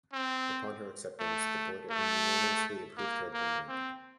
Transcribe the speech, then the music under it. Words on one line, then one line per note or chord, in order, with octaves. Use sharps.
Upon her acceptance, the Board unanimously approved her appointment.
C4
A3
A3
A#3
A#3
C4